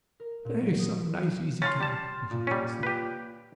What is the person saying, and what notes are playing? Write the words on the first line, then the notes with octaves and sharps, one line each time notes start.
"Play some nice, easy game," he suggested.
A#4
A#2
F#3
D#6
C#4 C6 F6 A6
G3 A5
A#2
G3 C#4
G4 B4